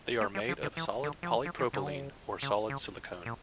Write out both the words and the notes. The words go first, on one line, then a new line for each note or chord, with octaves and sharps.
They are made of solid polypropylene or solid silicone.
A3
G3
F3
D3
E3
D3
F3
E3
F3
E3
C#3
D3
C#3
C#3
C#3
A#2